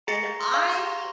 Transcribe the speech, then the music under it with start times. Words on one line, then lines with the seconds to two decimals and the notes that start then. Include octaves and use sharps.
and I,
0.07 G#4 A#5 A#6
0.40 C6
0.54 F5
0.69 C#6